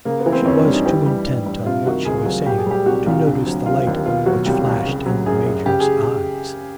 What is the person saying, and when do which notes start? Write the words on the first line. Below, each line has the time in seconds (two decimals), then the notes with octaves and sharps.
She was too intent on what she was saying to notice the light which flashed in the Major's eyes.
0.05 C#3 A#3
0.19 B3
0.26 E3
0.32 C4
0.45 F2 C#4
0.59 D4
0.66 G3
0.72 D#4
0.85 E3 G4
1.06 G3
1.26 G2
1.46 G2
1.66 C3 F4
1.86 D#3 F#4
2.05 C#2 G#4
2.25 F#3 G#4
2.46 A#2 G4
2.58 G#4
2.66 G3 G4
2.86 C2 F#4
3.06 C2 F4
3.25 D3
3.46 F#3
3.66 D#2 F4
3.87 D#2
4.06 B2 F4
4.26 F#3 F#4
4.46 C2 G4
4.66 C2
4.86 C#3
5.06 F#3
5.26 F#2 G#4
5.46 F#2
5.66 C#3 G4
5.80 G#4